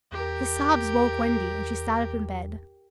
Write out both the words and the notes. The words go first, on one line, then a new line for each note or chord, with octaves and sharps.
His sobs woke Wendy, and she sat up in bed.
E2 G4 A#4